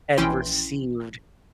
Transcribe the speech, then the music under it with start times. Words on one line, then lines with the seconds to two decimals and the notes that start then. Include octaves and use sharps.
and received
0.18 A#1 E3 C#4 E4 G5 C6